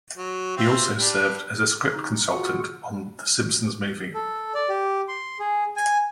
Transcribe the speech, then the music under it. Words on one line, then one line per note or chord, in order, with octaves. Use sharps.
He also served as a script consultant on "The Simpsons Movie".
F#3
C4 F4 E5
G3 D4
D#4
F4 F#4 G#4 F#5
A4
D5
G4
C6
G#4
G#5